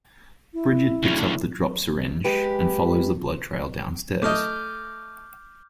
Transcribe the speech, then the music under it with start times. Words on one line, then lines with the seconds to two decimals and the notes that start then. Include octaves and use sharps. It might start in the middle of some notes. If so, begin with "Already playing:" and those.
Brigitte picks up the dropped syringe and follows the blood trail downstairs.
0.54 E4
1.03 D2 C#3
2.24 G#3 G4 B4
4.22 A3 D#5 D6 F6 G6